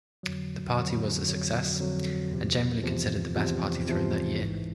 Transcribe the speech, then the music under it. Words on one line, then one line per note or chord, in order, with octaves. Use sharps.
The party was a success and generally considered the best party thrown that year.
F2 D3 F#3
F2 D3 F#3
F2 D3 F#3
F2 D3 F#3
E2 C3 F3
E2 C3 F3
E2 C3 F3
E2 C3 F3
A1 G#2 E3